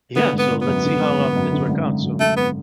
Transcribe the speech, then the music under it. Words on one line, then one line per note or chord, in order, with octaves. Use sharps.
Yeah, so let's see how our things work out, so
D3 B3
G#1
B3
G#1
B3
F#2
D3
G#1
G#1
F#2
D3
G#1
G#1
F#2
D3 A3
G#1 B3